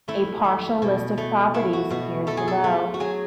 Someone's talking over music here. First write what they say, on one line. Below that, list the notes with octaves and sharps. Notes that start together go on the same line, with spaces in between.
A partial list of properties appears below.
A3 E4
A3
B2
A3
A3 E4
F#4
B2 F#4
A3 A4
G#4
A4
A3
F#4
F#3 G#4